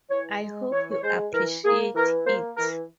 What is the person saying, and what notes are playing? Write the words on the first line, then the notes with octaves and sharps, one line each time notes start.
I hope you appreciate it.
E3 C#5
G#3
E3 C#5
C#5
G#3 C5
E3 A#4
A#3 G#4
E3 A#4
A#3 C5
E3 A#4